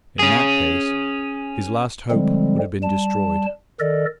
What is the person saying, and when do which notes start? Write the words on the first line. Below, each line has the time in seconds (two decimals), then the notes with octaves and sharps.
In that case his last hope would have been destroyed.
0.19 C#4 G#4
2.11 D3 F3 G3 G#3 C4
2.83 G3 A5
3.80 D#3 A4 A#4 D5 D#5